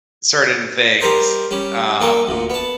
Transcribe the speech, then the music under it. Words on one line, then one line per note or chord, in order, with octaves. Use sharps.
certain things, um
G3 C4 A#4 C5 D#5
G3 C#4
A#3 A4 A#4
D2 A#2
B3 A5